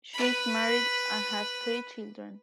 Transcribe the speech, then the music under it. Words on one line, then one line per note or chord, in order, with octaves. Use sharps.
She is married and has three children.
B4 B5